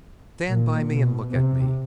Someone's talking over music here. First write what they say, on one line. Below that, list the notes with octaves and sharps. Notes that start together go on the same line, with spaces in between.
Stand by me and look at me.
A#2
B2
C3